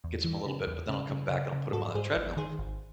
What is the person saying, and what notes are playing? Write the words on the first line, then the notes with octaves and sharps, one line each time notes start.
Gets them a little bit but then I'll come back and I'll put 'em on a treadmill,
E2
E3
C#3
E2
C#3
C#3
C#3
C#3
G#2 F#4 A4
G#2 G#4 C5
G#1
D#3 G#4 C5
G#1